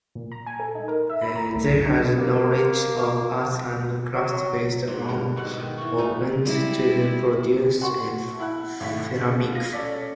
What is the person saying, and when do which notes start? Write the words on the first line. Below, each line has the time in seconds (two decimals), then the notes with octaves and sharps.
They had a knowledge of arts and crafts based on ovens to produce ceramics.
0.15 A#2
0.32 A#5
0.46 G#5
0.60 A4
0.75 D#4
0.88 A#4
1.09 E5
1.21 B5
1.36 A#5
1.55 C2
1.73 F#2
1.87 D4
2.18 A#3
4.15 F#3
4.87 G#2 F#3
5.08 G2 D3 A#4
5.36 G#2 B2 F#5
5.60 D#3
5.78 E3 F#4
5.98 A3 D#4 E4 A#4
6.43 G3 G#3 E4
7.81 F#4 F#5 C6 C#6
8.39 E4 F#5 F#6
8.80 G#1 A2 B6
9.12 C#3
9.51 F4 A#6
9.72 C#4 A4 D5 B6